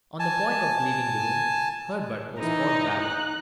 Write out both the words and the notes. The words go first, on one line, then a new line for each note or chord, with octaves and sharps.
On the point of leaving the room, Herbert was called back.
G#5 A5
E3 D#4
F#6